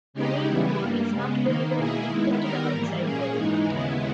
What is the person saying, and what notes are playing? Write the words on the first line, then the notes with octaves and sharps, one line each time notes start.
Hamirpur is not very well connected to the outside world.
C#3 G#3 D#4 G4
C#3 E3 G3 B3 E4
G2 G3 A#3
C#3 G#3 B3
D#3 A#3 D#4
B2 A#3 E4 G#4
D#3 G#3 B3 E4
D#3 G3 B3 D#4 A#4
G#2 E3 G3 A#3
A#2 A#3 C#4 G#4
G#2 E3 G#3 D#4
D#2 C#3 G#3 B3 E4